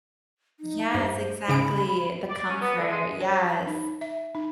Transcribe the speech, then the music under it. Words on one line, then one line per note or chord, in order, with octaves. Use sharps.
Yes, exactly, the comfort, yes.
D#4
G2 C5
G#2 C#3 B5 D7
D5
C#4
B3
D3
G#3
C#5
C#5
D#4
E5
D#4